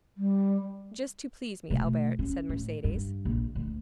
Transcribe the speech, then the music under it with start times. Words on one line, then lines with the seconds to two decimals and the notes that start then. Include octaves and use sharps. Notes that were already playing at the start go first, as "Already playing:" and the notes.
"Just to please me, Albert," said Mercedes.
0.18 G3
1.70 B2 A3
2.19 C#4
2.49 A2
2.84 G2
3.25 A#1
3.55 D2